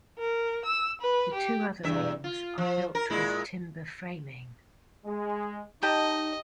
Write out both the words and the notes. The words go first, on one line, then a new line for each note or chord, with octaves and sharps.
The two other wings are built with timber framing.
A#4
E6
B4
G4
E2 G2 E5
F4
F3
A#4
A#2 G#3 E4
G#3
D#4 G4 D#5 A5